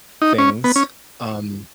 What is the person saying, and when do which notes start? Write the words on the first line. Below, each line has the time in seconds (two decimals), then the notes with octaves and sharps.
things. Um,
0.22 D#4
0.38 C#4
0.64 B3
0.76 C#4